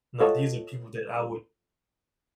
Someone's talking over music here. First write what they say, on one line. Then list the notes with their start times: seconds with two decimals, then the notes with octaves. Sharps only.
no, these are people that I would
0.20 F4 F#4 A4 C#5 D#5 A5